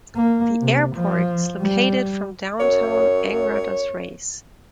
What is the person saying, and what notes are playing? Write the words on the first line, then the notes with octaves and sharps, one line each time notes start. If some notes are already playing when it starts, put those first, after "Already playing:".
The airport is located from downtown Angra dos Reis.
A#3
C3
F3
G3
F#2 C#5